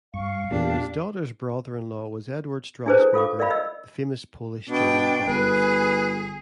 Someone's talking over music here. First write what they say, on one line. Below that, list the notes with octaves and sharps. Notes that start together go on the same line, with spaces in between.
His daughter's brother-in-law was Eduard Strasburger, the famous Polish-German botanist.
G2 F5 C#6
E2 A#2 A#3 D4 G4
D4 E4 G#4 B4 C5
A4
F4 A4 F5 D6
A#4 D5 E5 F5 B5
D#5 E6
B2 D4 G5
G1 G#4 B4